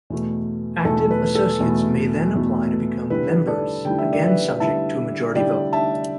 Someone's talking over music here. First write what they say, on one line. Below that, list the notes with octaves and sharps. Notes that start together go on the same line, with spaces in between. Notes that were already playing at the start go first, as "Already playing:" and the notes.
Active associates may then apply to become 'members', again subject to a majority vote.
E2 B2 A3
E2 B2 A3 A4
B4
A4
E2 B2 A3
E2 B2 A3
D3 G3 E4 B4
A4 D5
D3 G3 E4 G5
E5
D5
B4 E5
D3 G3 E4 E5 A5
D3 G3 E4 D5 G5
E5 A5